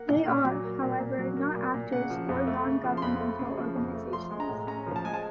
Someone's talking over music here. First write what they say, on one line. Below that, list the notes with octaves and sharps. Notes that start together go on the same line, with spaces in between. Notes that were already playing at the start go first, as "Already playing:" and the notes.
They are, however, not actors or non-governmental organizations.
Already playing: A#3 F#5
A#2
A#2
F#3
A#3
A#2
A#2
F#3
A#3
A#2
A#2
C#3 F#5
F3
F2
A3
C#3
F3
C6
F2 B5
A3
C#3
F3
F2
A3
F3 C6
G#3
A#5
A2
C#4 A#5
F3
A5
G#3 G#5
A5